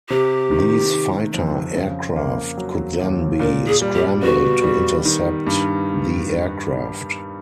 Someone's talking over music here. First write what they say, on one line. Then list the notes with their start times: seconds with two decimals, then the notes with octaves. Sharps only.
These fighter aircraft could then be "scrambled" to intercept the aircraft.
0.10 C3 G4
0.51 D#3
0.93 D#3
1.34 F2
1.76 C#3
2.16 A#3
2.57 F#3
3.00 D#2
3.40 A#2 A#4
3.68 G#4
3.82 G3
3.95 G4
4.23 B3 F#4
4.63 G3
5.05 D#3
5.47 G2